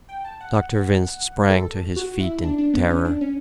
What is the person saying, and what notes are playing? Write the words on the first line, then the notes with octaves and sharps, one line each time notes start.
Dr. Vince sprang to his feet in terror.
G5
A5
F#5
A4
F#4
E4
D4
D4
B3
C#4
D4
C#4